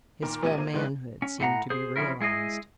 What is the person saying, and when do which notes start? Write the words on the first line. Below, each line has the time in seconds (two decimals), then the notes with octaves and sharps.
His full manhood seemed to be realized.
0.22 A#2 D#3 A#4
0.43 A#1 C3 A3 F4 G#6 D#7
0.57 A#3 C5
0.73 A#1 D#3 E3 G#3 B4 F#6
1.22 C#4
1.40 A2 A3 F#5 A#5
1.70 G#4 C5
1.96 C#3 F3 C4 C#4 E4 A#4
2.21 G#3 E4 G#4 D#5